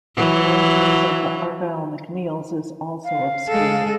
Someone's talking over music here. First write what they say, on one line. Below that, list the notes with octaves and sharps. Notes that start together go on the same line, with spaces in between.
The origins of the Argyll MacNeills is also obscure.
E3 F#3
F5
G#3 A4